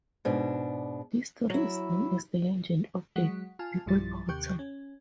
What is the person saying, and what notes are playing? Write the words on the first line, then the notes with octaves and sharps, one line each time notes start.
This story is known as the legend of The People Potter.
G#2 B2 D4
F#3 E4
F#3 G#3 F#5 B6
F4 G#5 A5 F6
B1 G2 F3 G3 E4 A6
D#2 C3 G4 C#6 F#6 G6
C#4